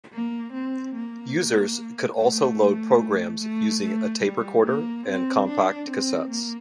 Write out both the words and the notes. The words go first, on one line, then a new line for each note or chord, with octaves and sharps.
Users could also load programs using a tape recorder and compact cassettes.
A#3
C4
A#3
A3
A3
A3
G3
A#3
C4
D4
C4
A#3